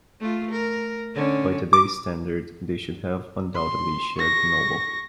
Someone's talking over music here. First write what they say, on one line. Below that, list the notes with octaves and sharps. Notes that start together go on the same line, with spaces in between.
By today's standard, they should have undoubtedly shared the Nobel.
A3 F4
A#4
D3 C#4
D6
C6
C#6 A#6